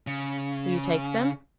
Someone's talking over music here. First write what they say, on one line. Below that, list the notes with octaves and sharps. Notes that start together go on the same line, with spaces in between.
"Will you take them?"
C#3